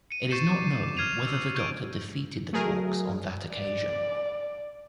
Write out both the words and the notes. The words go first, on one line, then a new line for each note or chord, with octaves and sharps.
It is not known whether the Doctor defeated the Quarks on that occasion.
C#7 D#7
C#6 G6 A6 C7 C#7 E7
D6
F6 G#6 C7 D#7 F7
E6
C#6 F6 G6 G#6 D7 D#7
F#3 A3 G#4 A#4
D5